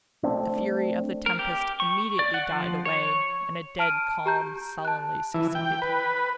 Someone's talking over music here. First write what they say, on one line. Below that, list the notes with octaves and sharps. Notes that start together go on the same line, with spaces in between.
The fury of the tempest immediately died away, and a dead calm sullenly succeeded.
A3 C4 D4
A#4
G4
C#6
D5
F#5
F3
C#5
A5 F6 D7 D#7
G4 A#5 G6
A5 F#6
E3
G5
B4